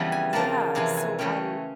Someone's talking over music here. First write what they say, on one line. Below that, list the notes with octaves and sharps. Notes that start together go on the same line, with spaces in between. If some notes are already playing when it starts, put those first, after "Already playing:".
Yeah, so, um,
Already playing: F2 C#3 E3 G3 B3
G#5
C#3 F3 A#3 A5
F2 C3 E3 G#5
G#5
C#3 E3 A3 C#4 G5